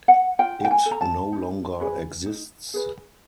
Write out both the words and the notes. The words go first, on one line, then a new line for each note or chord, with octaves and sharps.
It no longer exists.
F#5
F4 G5
G5
G#5
A4
A#5
A5
D#4
G#4 B4
D#4
G#4 B4